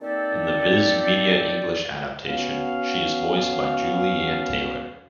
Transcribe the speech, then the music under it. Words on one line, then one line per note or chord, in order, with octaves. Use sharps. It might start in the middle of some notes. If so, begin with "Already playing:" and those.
In the Viz Media English adaptation, she is voiced by Julie Ann Taylor.
D#3 A#3 C4 G4 A4 D5
B3 C#4 F#4 F5